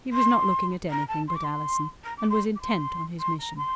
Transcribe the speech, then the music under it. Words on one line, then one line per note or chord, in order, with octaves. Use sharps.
He was not looking at anything but Allison, and was intent on his mission.
C6
A#5
A5
C6
D6
C6
A#5
D6
C6
D6
C6
C6
A#5
C6